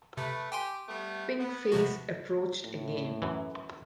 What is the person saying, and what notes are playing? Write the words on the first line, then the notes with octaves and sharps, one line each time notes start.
Pink face approached again.
C3 A3 B4
G4 G5 G#5 C6
G3 A3 B3
B3
C3 F3 F#4
A2
F#2 E3